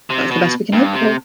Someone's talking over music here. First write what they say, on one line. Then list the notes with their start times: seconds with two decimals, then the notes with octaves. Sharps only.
That's the best we can hope for.
0.10 C3
0.31 B2
0.73 G2
0.93 C3